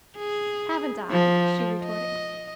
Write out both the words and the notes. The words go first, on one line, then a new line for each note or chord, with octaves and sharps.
"Haven't I!" she retorted.
G#4
F3
D#5